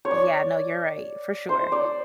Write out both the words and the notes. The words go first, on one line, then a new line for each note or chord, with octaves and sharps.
Yeah, no, you're right, for sure.
C#5
D5
C5
D5